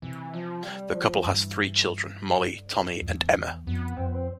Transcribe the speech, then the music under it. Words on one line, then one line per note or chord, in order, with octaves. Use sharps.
The couple has three children, Molly, Tommy, and Emma.
C3 E3
F3
G3
F3
G2 E3
D3
C3
D3
F2
E2 E3
F3
C4
B3
F2 B3
F2 C4
B3
C4